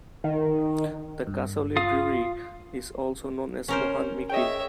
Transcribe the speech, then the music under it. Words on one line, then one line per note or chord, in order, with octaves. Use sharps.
The Kasauli brewery is also known as Mohan Meakin.
D#3
G2
F4 F5 D#6
C#4 A#4 C5 C#5
G#4 C#5 D#5 E5 G5